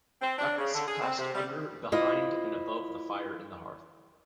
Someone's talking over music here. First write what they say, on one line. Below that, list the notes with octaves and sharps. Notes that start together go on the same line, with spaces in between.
Ducts passed under, behind, and above the fire in the hearth.
C4
D4
C#3
D3
G#4
C4
C3
G3
E4 F4 C5 D#5